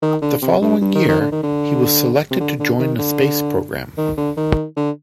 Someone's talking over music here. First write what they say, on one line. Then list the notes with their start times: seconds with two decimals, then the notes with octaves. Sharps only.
The following year, he was selected to join the space programme.
0.02 D#3
0.22 D3
0.42 C3
0.61 G2
0.81 G2
0.95 D#3
1.08 D#3
1.21 D3
1.32 D#3
1.43 D3
2.31 C3
2.40 D3
2.59 D3
2.79 D#3
2.99 D3
3.97 D#3
4.17 D3
4.37 D#3
4.77 D3